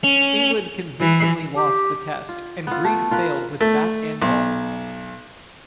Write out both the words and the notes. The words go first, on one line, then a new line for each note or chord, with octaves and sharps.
England convincingly lost the Test and Greig failed with bat and ball.
C#4
E3
G4
F4
B3 F4
A3
F4 A#4 B4
A3
B1